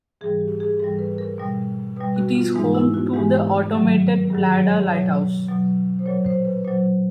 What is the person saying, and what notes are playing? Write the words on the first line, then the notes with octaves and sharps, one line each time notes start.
It is home to the automated Pladda Lighthouse.
G#2 E3 G3 G#4
G4
G#4
G#2 E3 G3 A4
B4
A#4
B2 G3
B2 G3 B4
F#4
F4
G#2 E3 G#3 D#4
E4
F#4
G#2 E3 G#3 G4
G2 D#3 F#3
G2 D#3 F#3 G#4
C#5
B2 F#3 C#5
B2 F#3
C5
A#2 F#3 C#5
C5
B4
A#2 F#3 C5